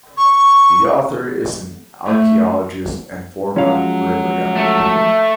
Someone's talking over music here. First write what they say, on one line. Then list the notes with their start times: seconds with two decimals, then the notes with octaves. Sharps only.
The author is an archeologist and former river guide.
0.17 C#6
2.07 A3
3.56 F3 F#3 G#3 C#4 F5
4.56 A3